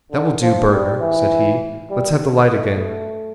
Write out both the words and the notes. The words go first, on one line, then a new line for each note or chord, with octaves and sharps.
"That will do, Burger," said he, "let's have the light again."
D3
F3
G3
E3
G3
A3